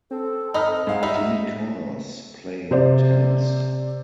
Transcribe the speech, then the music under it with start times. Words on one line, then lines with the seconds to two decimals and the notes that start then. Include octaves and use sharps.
Jimmy Connors playing tennis.
0.11 C4 A4
0.54 D#4 D#5 B5 F6
0.87 G#2 G#4 F5 F#5
1.03 G3 D#4 D#5 E5 A#5 B5
2.71 C3 C5 D5